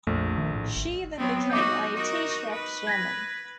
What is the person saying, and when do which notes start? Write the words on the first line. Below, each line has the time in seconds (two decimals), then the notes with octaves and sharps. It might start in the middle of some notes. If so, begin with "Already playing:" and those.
She then became a teacher of German.
0.07 A#1 F2 A3
0.37 D#3
0.56 A2
0.76 G#1
1.17 F#3 B3 C4
1.50 D#4 F#4 D6 G6
1.96 D#4 F#4 A#4
2.52 B4
2.87 G#6 A#6 B6